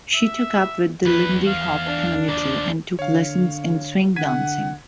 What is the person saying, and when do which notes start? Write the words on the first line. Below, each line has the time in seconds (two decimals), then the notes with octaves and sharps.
She took up with the lindy hop community, and took lessons in swing dancing.
0.14 E5
1.06 E2 B4
1.47 F5
1.86 D4
2.29 D#2 F3 D5
2.99 D3 C#5 F5
4.16 D3 F#5 G#6 B6 D#7